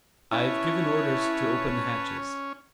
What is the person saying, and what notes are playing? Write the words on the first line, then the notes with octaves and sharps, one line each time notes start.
"I've given orders to open the hatches."
C#4 E4 B4 C#5 A5